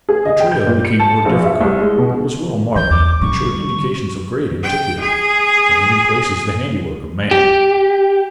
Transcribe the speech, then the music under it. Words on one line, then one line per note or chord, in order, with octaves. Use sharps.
The trail became more difficult but was well marked and showed indications of great antiquity, and, in places, the handiwork of man.
G#4
D#5
G5
G6
A#2
C#7
A5
A#1
E5
C2
G#3
B2
E3 G6
E2 D6
D3 G3 C#6
G5
G#4
G4